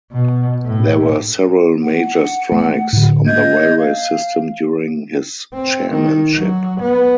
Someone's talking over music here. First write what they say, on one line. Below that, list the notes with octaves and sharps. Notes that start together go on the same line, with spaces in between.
There were several major strikes on the railway system during his chairmanship.
B2
A2
F#5
A3
A2 D3
A#3 D#5 G6 G#6
F5
C4
D#3
F#3
B3